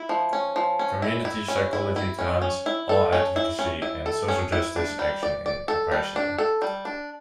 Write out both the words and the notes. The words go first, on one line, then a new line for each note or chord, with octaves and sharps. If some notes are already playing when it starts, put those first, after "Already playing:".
Community psychology grounds all advocacy and social justice action in empiricism.
Already playing: E4
F3
C#4
F3
C#4
E4
E4
C#4
E4
E4
C#4
C#4
E4
A4
C#4
E4
C#4
E4
A4
C#4
E4
D4
G3
D5
D5
A4
G3
D4
A4
G3
D4